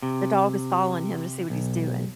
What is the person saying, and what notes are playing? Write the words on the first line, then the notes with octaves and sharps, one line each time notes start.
the dog is following him to see what he's doing.
C3
B1